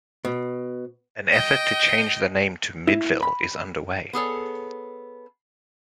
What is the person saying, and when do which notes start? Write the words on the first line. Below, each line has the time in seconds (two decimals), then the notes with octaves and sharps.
An effort to change the name to MidVil is underway.
0.25 B2
1.32 D#5 G5
2.87 E4
3.23 B5
4.13 B3 G#4 A4 C#5